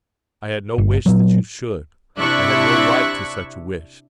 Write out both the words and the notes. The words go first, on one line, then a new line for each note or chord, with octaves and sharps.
I had no wish that you should; I had no right to such a wish.
G1
A#2 F#3
C3 D4 E4 E5 C#6 F#6